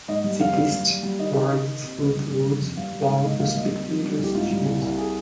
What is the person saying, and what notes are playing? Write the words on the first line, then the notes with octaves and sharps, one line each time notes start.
Cyclists ride through the woods while the spectators cheer.
G#2 D#5
G3
F2 F5
G2
G3
G3
G3
D#3 D#5
D#3
D#3
D#3
C3
C#2
G2
G2
G3
F2
G2 F5
G3
G#2 F5
G#2 D#5
D#2 F5
G3 D#5
C3
F3
G3
C2
G4
G#2 F4
G3
C2
C2
G#4